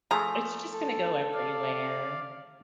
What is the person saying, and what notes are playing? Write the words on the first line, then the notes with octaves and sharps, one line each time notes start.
It's just gonna go everywhere.
F3 A3 G#4 A#5
A4
D5 F5